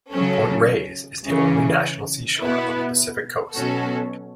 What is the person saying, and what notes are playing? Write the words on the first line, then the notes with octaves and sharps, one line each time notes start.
Point Reyes is the only national seashore on the Pacific coast.
C#3 F#3 C#4 A4
C#3 E3 C#4
B2 B3 E4 B4
B2 F#3 C#4 F#4 A4